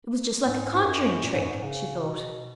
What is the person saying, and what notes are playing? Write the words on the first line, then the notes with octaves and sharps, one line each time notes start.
It was just like a conjuring-trick, she thought.
G#2
G#2
F#2
A#2
G#2
F#2
G#2
C#3
B2